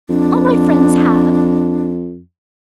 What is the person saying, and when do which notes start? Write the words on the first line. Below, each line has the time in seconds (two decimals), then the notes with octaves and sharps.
All my friends have.
0.09 F2 D4